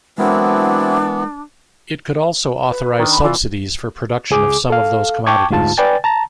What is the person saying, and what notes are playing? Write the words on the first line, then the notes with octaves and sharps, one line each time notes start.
It could also authorize subsidies for production of some of those commodities.
E3 F#3 G#3 B3 C4 D4 E4 A#4
B4
D#3 D4
B5
E3 F4 D5
C#2 G#4 D6
A4 F5
G5 A5 C#6 D6 G#6
D2 G#2 F4 A5
B4 D5 G5 G#5 A6
A5 A#5